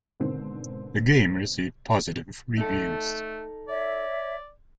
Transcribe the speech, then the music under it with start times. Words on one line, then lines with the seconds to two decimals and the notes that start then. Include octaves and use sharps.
The game received positive reviews.
0.20 G#2 B2 D3 D#3 C4
2.58 A3 D#4 A4
3.68 C#5 D5 E5